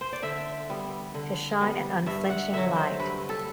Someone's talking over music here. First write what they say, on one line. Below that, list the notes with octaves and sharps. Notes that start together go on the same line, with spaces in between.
To shine an unflinching light.
C5
D5
D3 E5
G3 B3
D3
G3 B3
G2 E5
F#5
D3 F#3 E5
C5
G2 B4
A4